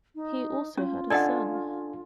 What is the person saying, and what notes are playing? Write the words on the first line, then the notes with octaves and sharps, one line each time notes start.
He also had a son.
D#4
C#4 F4
D4 A4 D5 D#5 F#5 G#5